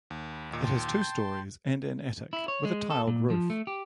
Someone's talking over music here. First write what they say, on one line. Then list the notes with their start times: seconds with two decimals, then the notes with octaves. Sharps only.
It has two storeys and an attic, with a tiled roof.
0.10 D#2
0.33 B5
0.51 D#2 A#2 D#4
0.63 G5 A5 C6
1.02 G6
2.33 E4
2.48 C#5
2.65 G#3
2.90 A4
3.07 A#2
3.30 F3
3.50 A3
3.67 G4